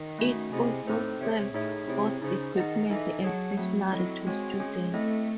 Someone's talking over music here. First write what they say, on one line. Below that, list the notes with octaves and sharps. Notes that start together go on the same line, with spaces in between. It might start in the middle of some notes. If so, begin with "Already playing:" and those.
It also sells sports equipment and stationery to students.
Already playing: D#3
A3 C#4 F#4
C3 E4 G#4 D#5 G#5
A2 C4 D#4 A4 C5
C3 G#4 C#5 E5
A2 A3 D#4 G#4 C#5 E5
C3 E4 G#4 C#5
C#3 D#4 G#4 C5
D#3 D#4 G#4 D#5 F#5
E3 D#4 A4 D#5 G#5
F#3 G#4 C#5 F#5 A5
F#3 A3 C4 F#4
F#3 C4 E4 A4 D#5
G#3 C4 F#4 C#5 G#5
C#4 G#4 C#5
A3 C4 E4 A4 D#5